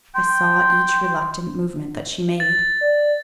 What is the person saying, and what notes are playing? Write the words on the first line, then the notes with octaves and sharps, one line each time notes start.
I saw each reluctant movement that she made.
G5 C6
A6
D5